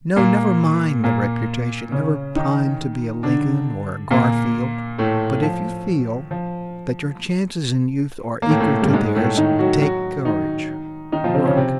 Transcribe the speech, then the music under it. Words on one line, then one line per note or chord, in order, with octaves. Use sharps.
No, never mind the reputation; never pine to be a Lincoln, or a Garfield, but if you feel that your chances in youth are equal to theirs, take courage--WORK.
A#2 A#3
A#2 A#3
C#3 C#4
D#3 D#4
D3 D4
A#2 A#3
A2 A3
F3
F3
A#3
A2 A3
A2 A3
G2 G3
G#2 G#3
A2 A3
D#3 D#4
F#3 F#4
F#3 F#4
D#3 D#4
D#3 D#4
F3 F4
C3 C4
C#3 C#4
C3 C4